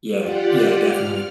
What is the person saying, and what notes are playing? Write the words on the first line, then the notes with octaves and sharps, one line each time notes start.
Yeah, yeah, definitely.
F4 G4 D5 F#5
F6